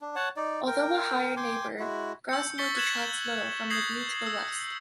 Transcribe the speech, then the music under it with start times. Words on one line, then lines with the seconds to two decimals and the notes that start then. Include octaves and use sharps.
Although a higher neighbour, Grasmoor detracts little from the view to the west.
0.01 D4
0.15 C#5 F#5 A5
0.36 D#4 D5
0.67 A#4 G5
1.37 G5 G#5 C6 D6
1.79 G#3 E4 F#4
2.29 E6 G6 C#7
2.58 C#6 A6 B6 C#7 G7
2.75 E6 F#6 G#6 B6 E7 F#7
3.70 D#6 G6 G#6 A#6 C7 F#7
4.26 E6